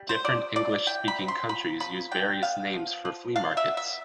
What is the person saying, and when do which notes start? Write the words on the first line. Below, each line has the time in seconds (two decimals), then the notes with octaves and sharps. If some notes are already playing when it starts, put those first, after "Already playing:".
Different English-speaking countries use various names for flea markets.
Already playing: G3
0.09 C5
0.24 F3 D5
0.56 F3 D5
0.87 E4 G5
1.08 B5
1.18 C4
1.28 C6
1.49 F3 B5
1.80 F3 B5
2.11 D4 G5
2.42 B3 F5
2.74 F3
3.05 F3
3.36 D4 F5
3.57 E5
3.67 B3
3.77 E5